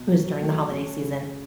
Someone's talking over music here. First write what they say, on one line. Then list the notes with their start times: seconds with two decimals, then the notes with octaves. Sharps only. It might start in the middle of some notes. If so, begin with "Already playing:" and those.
it was during the holiday season,
Already playing: B2
0.11 F#3
0.42 A3
0.71 C#4
1.02 C#3